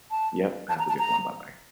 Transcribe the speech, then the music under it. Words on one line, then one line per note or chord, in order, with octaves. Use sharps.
Yep. Have a good one. Bye-bye.
A5
A5
A#5
A5
A#5